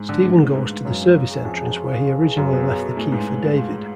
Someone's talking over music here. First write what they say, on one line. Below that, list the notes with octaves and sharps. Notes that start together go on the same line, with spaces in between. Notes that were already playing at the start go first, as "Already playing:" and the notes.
Steven goes to the service entrance where he originally left the key for David.
Already playing: G#2 G#4
D3 D4
A2 B3
B3
G#2 B4
F4
F#2 C#4
C#4
C#5
G#4
F2 C#4
F5
F4
B3
G#3
B4
F#2 F4
B2 B3
F#3
A4
A2 G#4
G#2 F4
B3
B3
F4
B3